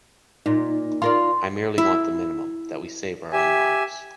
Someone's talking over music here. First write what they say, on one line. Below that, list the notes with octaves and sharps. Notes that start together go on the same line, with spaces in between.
I merely want the minimum—that we save our own lives.
A#2 D#4
F4 A#4 D5 C6
E4
G4 E5 G#5